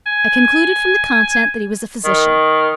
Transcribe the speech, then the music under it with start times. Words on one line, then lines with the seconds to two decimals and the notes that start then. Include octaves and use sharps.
I concluded from the content that he was a physician.
0.07 G#5
2.05 D#3